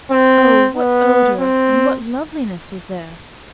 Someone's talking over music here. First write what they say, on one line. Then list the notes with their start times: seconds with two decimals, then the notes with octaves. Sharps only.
Oh, what odour and what loveliness was there!
0.11 C4
0.75 B3
1.40 C4